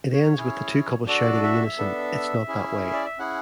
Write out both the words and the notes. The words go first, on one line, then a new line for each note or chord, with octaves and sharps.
It ends with the two couples shouting in unison It's not that way.
C#5
C#4 E4 G#4
D4 F#4 A4 D5
E5
B3 D4 A4
C#4 E4 G#4
D5
E5
C#4 E4 G#4 F#5